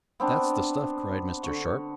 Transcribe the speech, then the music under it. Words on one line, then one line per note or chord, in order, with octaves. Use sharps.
"That's the stuff!" cried Mr. Sharp.
B3 C4 D4
D3 C#6